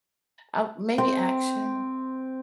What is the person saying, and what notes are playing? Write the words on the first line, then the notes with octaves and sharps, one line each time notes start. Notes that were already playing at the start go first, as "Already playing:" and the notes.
Uh, maybe action.
C4